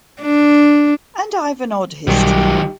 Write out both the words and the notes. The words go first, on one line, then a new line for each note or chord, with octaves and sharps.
And I’ve an odd history.
D4
B1 D#3 F#3 G3 G4